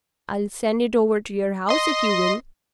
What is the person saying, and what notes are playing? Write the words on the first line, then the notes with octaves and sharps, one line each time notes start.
I'll send it over to your house if you will.'
D#5 C6